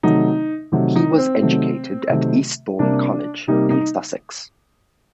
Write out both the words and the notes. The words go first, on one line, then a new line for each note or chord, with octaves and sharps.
He was educated at Eastbourne College in Sussex.
C3 D#3 F#3 A3 D#4
C3 D#3 F#3 A3
D#4
C4
C3 D#3 F#3 A3
C3 D#3 F#3 A3
C3 G3 A#3 D4
C3 G3 A#3 D#4
D#4